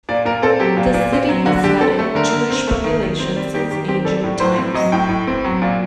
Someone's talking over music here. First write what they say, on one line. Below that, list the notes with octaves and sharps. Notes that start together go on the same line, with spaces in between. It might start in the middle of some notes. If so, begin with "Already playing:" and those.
The city has had a Jewish population since ancient times.
A#2 D5
A#2 A#4
C4 A4
F#3 G4
A#2
A#2
C4
F#3
D3 F#4
D3 G4
C4 A4
A3
D3 A#4
D3
C4
A3
D#3
D#3
C4
G3
D#3 G4
D#3 G4
C4 G4
G3 A4
A2
A2 C5
C4
F#3 D#5
A2 G5
A2
C4
F#3
A#2